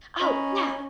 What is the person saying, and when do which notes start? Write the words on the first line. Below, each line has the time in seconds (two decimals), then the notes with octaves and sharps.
Oh, yeah!
0.21 C#4 D#5 A#5 B5